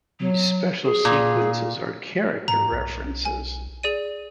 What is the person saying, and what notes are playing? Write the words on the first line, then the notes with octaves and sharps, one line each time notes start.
These special sequences are "character references".
F#3
G#4
A#2
G#2 A#5
B1
G#5
G#4 D5 D#7